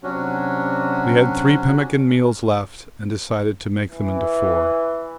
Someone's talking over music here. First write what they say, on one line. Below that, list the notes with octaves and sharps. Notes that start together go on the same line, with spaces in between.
We had three pemmican meals left and decided to make them into four.
C3 F#3 C#4 D4 F#4
E3